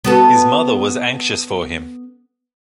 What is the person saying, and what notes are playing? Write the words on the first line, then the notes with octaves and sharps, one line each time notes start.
His mother was anxious for him.
B3 F#4 A4